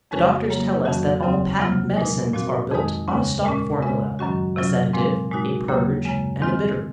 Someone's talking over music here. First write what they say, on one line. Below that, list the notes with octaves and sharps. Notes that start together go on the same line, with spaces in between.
The doctors tell us that all patent medicines are built on a stock formula--a sedative, a purge, and a bitter.
F2 C#3 G#3 C#4 F#4
C#3 F#3 A#3
F2 D#3 F#3 C#4 F#4
D#2 C#3 F#3 C4 D#4
C3 F#3 A#3 F4
A#2 G#3 D#4
A#2 F3 C4 F#4
F2 D#3 G#3 D#4
D#2 C#3 G#3 C#4
A#2 G#3 C#4
C#3 G#3 C#4
F#2 D#3 F#3 C#4 F#4
C3 F#3 C#4 F4
A#2 F3 G#3 C4
A#2 G#3 D#4 F#4
D#2 C#3 F#3 A#3
F#2 C#3 G#3
D#3 G#3 C4 F4